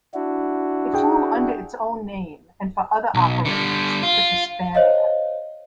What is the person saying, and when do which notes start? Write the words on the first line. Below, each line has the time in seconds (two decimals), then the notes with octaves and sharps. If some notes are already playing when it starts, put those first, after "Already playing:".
It flew under its own name and for other operators such as Spanair.
0.14 D4 E4 F#4
0.93 G#4 G5
3.15 B1
3.45 D3 G3
4.03 F4
4.75 C5 C#5 D#5 F5